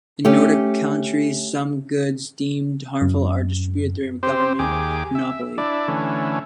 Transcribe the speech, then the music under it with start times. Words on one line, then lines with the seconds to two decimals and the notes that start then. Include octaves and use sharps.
In Nordic countries some goods deemed harmful are distributed through a government monopoly.
0.25 A3 C#4 G4
3.02 F#2
4.23 C4 G4 C5
4.59 D#2 G4 G#4 D6
5.15 E5
5.58 D4 E4 D5
5.88 D3 E3 A3 C#4